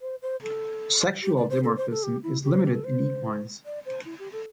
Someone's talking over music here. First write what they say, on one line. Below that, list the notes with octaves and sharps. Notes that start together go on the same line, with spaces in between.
Sexual dimorphism is limited in equines.
C5
C5
A4
G4
D5
C5
A4
C5
A4
G4
E4
G4
C5
G4
A4
C5
D5
C5
E4
G4
A4